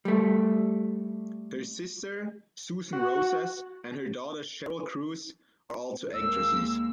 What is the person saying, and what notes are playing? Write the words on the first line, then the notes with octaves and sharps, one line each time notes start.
Her sister, Susan Roces, and her daughter, Sheryl Cruz, are also actresses.
G3 A3
F#4
D#2 G#3 A#3 E6